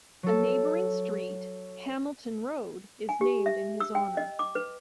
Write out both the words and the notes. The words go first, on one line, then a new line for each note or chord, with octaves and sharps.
A neighbouring street, Hamilton Road, is named in his honour.
F#3 A4
G#5
G4
E5
E6
G5
D#5
D6
B4